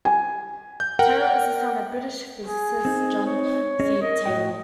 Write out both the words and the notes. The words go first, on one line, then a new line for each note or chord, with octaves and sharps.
Taylor is the son of British physicist, John C. Taylor.
G#5
G6
A#4 F#5 G5
G#4
C4 D#4
C#5
C#4 G#4 D#5
A#4 D#5
A2 F#4 G5